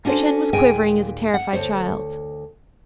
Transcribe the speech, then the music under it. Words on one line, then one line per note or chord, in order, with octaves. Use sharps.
Her chin was quivering as a terrified child's.
C#4 D4 F#4 G#4 A4 C5
D#2 A#2 G#4 A#4 G5 G#5
F#5
D2 C#3 C5 C#5